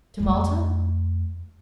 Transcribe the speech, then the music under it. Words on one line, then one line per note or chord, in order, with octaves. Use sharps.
"To Malta?"
F2 A3